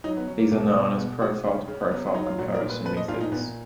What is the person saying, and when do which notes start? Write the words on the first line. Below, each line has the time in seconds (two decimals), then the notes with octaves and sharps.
These are known as profile-profile comparison methods.
0.04 F#3 D#4
0.17 B3
0.27 F#3 C#4
0.39 A#3
0.52 B2 A#3
0.75 B2
0.98 G#3 B3
1.22 G#3 F#4
1.45 C#3 C#4
1.68 C#3
1.91 F#3 B3
2.03 B3
2.15 F#3 D#4
2.26 F4
2.38 A#2 F#4
2.54 A#4
2.61 A#2
2.70 B4
2.85 F3 B4
2.97 D#5
3.08 A#2 F4
3.21 D#4
3.32 A#2 B3